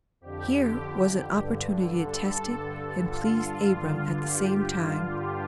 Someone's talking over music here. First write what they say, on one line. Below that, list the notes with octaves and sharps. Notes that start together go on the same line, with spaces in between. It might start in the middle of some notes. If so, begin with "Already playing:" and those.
Here was an opportunity to test it and please Abram at the same time.
F2 D3 G4
G2 D3
A4
G2 D3
F4
G2 D3 F4
G4
G2 D3 F4
G4